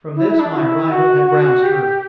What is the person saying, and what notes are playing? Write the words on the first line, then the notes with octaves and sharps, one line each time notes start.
From this my arrival had roused her.
E4
E4
D4
F#4
E4
F#4
F#4
G4